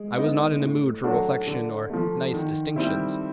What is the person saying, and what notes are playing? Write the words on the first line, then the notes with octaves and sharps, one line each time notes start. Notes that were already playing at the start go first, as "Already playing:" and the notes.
I was not in a mood for reflection or nice distinctions.
Already playing: G#3
B3 D#4
A2
F#3 A3 D4 F#4
D3
F3 A3
D#3
G3 C4 E4